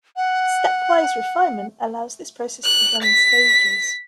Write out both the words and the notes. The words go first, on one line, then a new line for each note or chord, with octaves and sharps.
"Stepwise refinement" allows this process to be done in stages.
F#5
F#6
B6